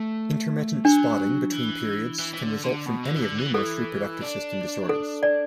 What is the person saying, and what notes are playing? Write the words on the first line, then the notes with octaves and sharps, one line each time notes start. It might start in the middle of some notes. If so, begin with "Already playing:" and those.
Intermittent spotting between periods can result from any of numerous reproductive system disorders.
Already playing: A3
F#3 D4
E3
E3
E3
D3
D3
B2
D3
E3
D3
E3
E3 A4
D4
A4
D5